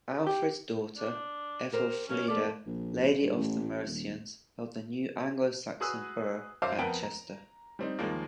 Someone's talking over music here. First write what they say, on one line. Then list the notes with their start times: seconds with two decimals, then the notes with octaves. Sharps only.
Alfred's daughter Ethelfleda, "Lady of the Mercians", built the new Anglo-Saxon 'burh' at Chester.
0.27 G4
0.98 D4
1.72 G4 A#4 C5
2.09 F#3 A#3 C#4
2.28 F2 A3 A#3 D5
2.66 A#1
3.21 G2
3.37 A1
3.86 D#1
5.80 F#4 G#4 B4 D#6 E6 F#6
6.62 F#2 C5 E5 F5 D6
6.78 F2 B3 A#4 G5 D7
7.03 A#5
7.79 G3 C4 D#4
7.99 D#2 F3 G#3 A#3